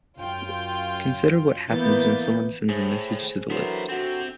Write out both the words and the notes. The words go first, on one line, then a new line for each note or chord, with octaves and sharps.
Consider what happens when someone sends a message to the list.
F#2 F4 G5
E3 A#3 B3 G6 A6
A2 G#4 C5
E3 F#3 B3 D4 A4 A#4 C5
C3 C4 F#4